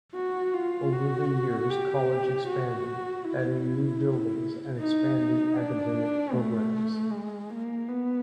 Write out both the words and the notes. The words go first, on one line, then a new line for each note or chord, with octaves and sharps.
Over the years the college expanded, adding new buildings and expanding academic programs.
F#4
F4
F#4
G4
F#4
E4
D#4
D4
A3
G#3
A#3
B3